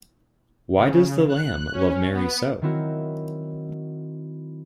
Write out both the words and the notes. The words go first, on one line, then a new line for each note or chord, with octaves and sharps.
Why does the lamb love Mary so?
C#3
F#6
C#4
B3
D#3 F#3 C4 E4 F#4 A#4